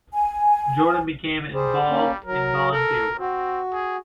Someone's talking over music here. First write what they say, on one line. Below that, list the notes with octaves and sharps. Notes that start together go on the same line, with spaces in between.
Jordan became involved in volunteer work.
G#5
G3 G#4 C5
A#3 C#4
F#3 A#4
A4 A#4
C4 F#4
G#4